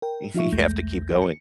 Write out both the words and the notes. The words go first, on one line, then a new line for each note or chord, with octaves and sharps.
you you have to keep going,
A#4 G5
F3 D#4 F4 E5 C#6
B1 E2 G#3 A3 G6 A#6
C#7